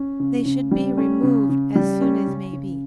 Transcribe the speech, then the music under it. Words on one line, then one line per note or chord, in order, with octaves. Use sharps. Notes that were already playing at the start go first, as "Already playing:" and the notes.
They should be removed as soon as may be.
Already playing: C#4
C#3
C#3
G3
C#4
C#3
C#3
G3
C#4
C#3
C#3